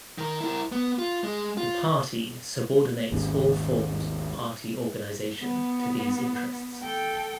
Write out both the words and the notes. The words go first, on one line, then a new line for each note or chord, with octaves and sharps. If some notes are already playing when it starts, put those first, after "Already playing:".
The Party subordinates all forms of Party organization to these interests.
D#3 A#4
E4 A#4
B3
F4
G#3
F4
G#1 D#2 G#2 C#4
B3
A4 G5